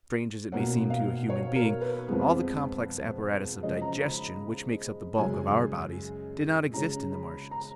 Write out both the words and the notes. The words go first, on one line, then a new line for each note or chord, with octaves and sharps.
Strange as it may seem to a human being, all the complex apparatus of digestion, which makes up the bulk of our bodies, did not exist in the Martians.
B2 A#3 C#4 F#5
F5
C#5
A#4
B4
F2 F3 G#3 B3 B4
C#3 F3 G#3 C#4 D#5
A#5
B5
F#2 C#3 G#3 C#4 G#5
C#3 G#3 C#4 A#5
B5
A#5